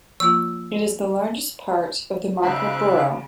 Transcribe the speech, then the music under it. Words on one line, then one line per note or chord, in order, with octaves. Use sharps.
It is the largest part of the Marka borough.
F3 A#3 F4 E6
B1 C#3 D#4 C5 E5 F5 B5 F#6